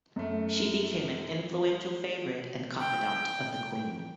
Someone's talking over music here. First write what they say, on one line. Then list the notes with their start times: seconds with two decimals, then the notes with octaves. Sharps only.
She became an influential favorite and confidant of the queen.
0.16 F#2 A3
2.80 G5